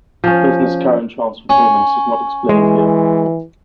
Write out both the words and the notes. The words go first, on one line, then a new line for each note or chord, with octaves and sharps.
Business current transfer payments is not explained here.
F3 C#4
C#4
E3 G#3